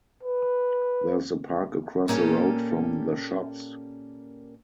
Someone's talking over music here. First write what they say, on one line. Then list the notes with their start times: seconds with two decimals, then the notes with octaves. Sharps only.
There is a park across the road from the shops.
0.23 B4
2.08 A#2 A#3 C#4 F#4 G4 A4